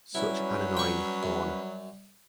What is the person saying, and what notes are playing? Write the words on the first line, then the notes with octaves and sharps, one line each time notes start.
Such an annoying horn.
F#3 G3 C#4 E4 B4
G5 C#6
F#2